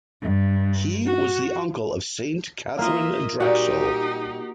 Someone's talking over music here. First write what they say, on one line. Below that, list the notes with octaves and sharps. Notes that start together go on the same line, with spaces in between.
He was the uncle of Saint Katharine Drexel.
G2
F#4
A#3 F4 D#5 E5
A#2 G3 D#4 F#4 G4